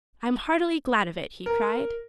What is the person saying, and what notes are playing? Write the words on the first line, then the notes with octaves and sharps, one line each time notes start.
"I am heartily glad of it," he cried.
A#4